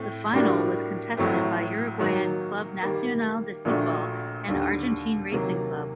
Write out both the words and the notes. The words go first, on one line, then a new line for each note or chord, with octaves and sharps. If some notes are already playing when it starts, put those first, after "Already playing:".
The final was contested by Uruguayan Club Nacional de Football and Argentine Racing Club.
Already playing: A2 A3 C4
A2 G3 D4 F#4 A#4
A1 A2 F#3 A3 C4
D#3 F#3 A#3 F#4
D#3 G3 A#3
A#1 A#2 A3 D4 F#4
D#2 D3 G3
C3 D#3 F#3 A#3